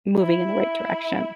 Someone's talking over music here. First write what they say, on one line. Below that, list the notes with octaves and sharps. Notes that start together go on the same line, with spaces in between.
moving in the right direction.
E4